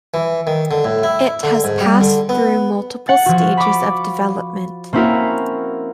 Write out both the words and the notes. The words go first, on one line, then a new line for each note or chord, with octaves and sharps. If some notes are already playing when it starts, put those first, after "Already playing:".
It has passed through multiple stages of development.
E3
D#3
D3
A2
E4
D3
G#2
G3
D3
B3
F#5 A6
F3 F#4
B5 C#6 D6
A#3 C4 C#4 E4 F#4 A#4